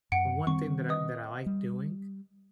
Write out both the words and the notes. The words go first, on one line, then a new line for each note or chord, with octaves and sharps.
the one thing that I that I like doing
F#2 F#5 C#7 D7
D#3 G3 C4 C#6
B4 D#5 D#6
G3